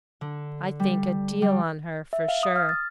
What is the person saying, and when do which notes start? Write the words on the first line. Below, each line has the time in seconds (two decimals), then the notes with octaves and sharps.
I think a deal on her, for sure.
0.21 D3
0.80 G3
1.42 G3
2.13 E5
2.28 F5
2.43 D#6
2.56 F6
2.69 A6